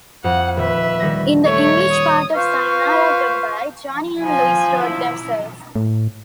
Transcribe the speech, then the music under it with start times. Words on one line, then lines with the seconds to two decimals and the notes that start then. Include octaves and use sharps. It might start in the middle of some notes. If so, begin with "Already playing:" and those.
In the English part of sayonara goodbye, Joni and Louis wrote themselves.
0.24 F2 F#5
0.57 D#1 B4 E5
1.00 D#3 G3 A#6
1.46 A3 C#5
1.92 D#6
2.35 F4 B4 C5 F5 C#6
4.24 F3 G#5
4.83 E4
5.76 A2